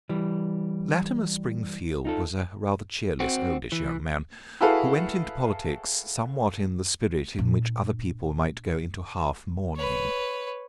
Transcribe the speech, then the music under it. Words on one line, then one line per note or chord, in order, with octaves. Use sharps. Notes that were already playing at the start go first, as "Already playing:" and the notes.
Latimer Springfield was a rather cheerless, oldish young man, who went into politics somewhat in the spirit in which other people might go into half-mourning.
E3 G3
D#4 F4 A4
C4 F#4
E3
E4 F#4 G#4 A4 B4 F5
A#2 D4
B4 C#5